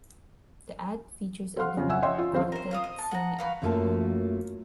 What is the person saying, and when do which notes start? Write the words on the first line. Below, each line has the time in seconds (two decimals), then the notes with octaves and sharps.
The ad features a doo-wop quartet singing a cappella.
1.56 A4 C5 F5 F#5 C6 F6
1.77 F2 C#3
1.90 E5 F#5 G#5 E6
2.02 C#5 D#5 E5 F#5 G5 C6
2.18 F4
2.32 D#1 A#1 C4 C5 F5 C6
2.52 A#4 C5
2.71 F4 F5 D#6
2.84 D#5
2.99 A5
3.11 F#5 A#5
3.38 F#4 B4 F5
3.62 F#2 F#3 A3 A#3 F4 A5